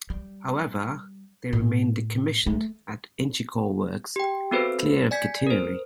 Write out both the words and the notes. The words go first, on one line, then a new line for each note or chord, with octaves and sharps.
However, they remain decommissioned at Inchicore Works, clear of catenary.
G3
A2
A3
G4 G5
B3 C4 F#4 A4 B4 C5
D5 G#5 G#6 B6
A#4 C5